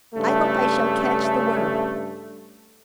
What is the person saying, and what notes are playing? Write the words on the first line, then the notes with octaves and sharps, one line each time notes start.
"I hope I shall catch the worm."
G2 C#3 A3